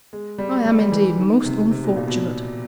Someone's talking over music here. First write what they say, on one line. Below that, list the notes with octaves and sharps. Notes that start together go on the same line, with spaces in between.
I am indeed most unfortunate.'
G#3
G3
G3
G#3
G3
E3
D#3
C3
C3
B2
A#2
B2